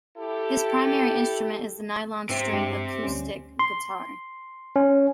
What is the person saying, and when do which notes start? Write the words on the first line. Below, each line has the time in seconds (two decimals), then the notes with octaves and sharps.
His primary instrument is the nylon-string acoustic guitar.
0.18 E4 G4 A4
2.29 G#2 C3 C4
2.52 G2 G#3 G4
3.03 D2 G3 C#4
3.59 C6
4.76 C#4